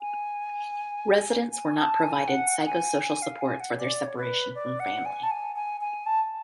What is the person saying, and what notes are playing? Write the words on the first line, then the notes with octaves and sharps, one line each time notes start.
Residents were not provided psychosocial supports for their separation from family.
G#5
G#5
A5
G#5
F#5
F#5
G#5
G#5
F5
G#5
F#5
C#5
D5
C#5
B4
D5
F#5
G#5
A5
G#5
G#5
G#5
A5